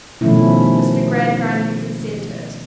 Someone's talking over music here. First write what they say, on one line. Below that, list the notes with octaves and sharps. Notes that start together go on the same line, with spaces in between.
Mr. Gradgrind had consented.
B2 D#3 F3 A3 C#4 E4